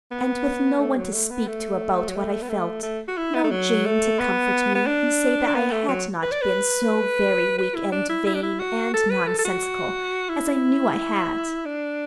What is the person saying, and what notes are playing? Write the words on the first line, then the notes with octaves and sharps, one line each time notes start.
And with no one to speak to about what I felt, no Jane to comfort me and say that I had not been so very weak and vain and nonsensical as I knew I had!
B3
A3
F#3
A3
B3
A3
F#3
A3
B3
A3
A3
F#4
E4
B3
A3
F#3
A3
B3
B3
D4
D4
B3
A3
F#3
B4
D5
B4
B4
E4
D4
E4
E4
D4
E4
F#4
A4
B4
A4
A4
F#4
E4
D4